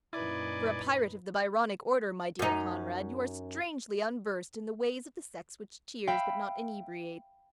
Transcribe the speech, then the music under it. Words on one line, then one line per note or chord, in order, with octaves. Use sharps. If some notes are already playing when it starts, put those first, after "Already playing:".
For a pirate of the Byronic order, my dear Conrad, you are strangely unversed in the ways of the sex which cheers but not inebriates.
F#2 A#2 D#4 E4 B4 D5 G#5 D6
F#2 D#4
E5 F5 G5 B5 E6